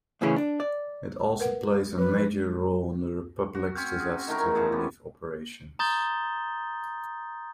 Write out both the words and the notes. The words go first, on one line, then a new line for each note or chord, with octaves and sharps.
It also plays a major role in the Republic's disaster relief operations.
A2 C#3 E3 C#4 G#4
D4
D5
A#4 B4 F#5
F3 B4
F#4
C4 C#4
G#4
D#3 A3 E4 A#4
C#3 F3 E4
B3 G4
A#5 C6 D#6 G6 A6 G7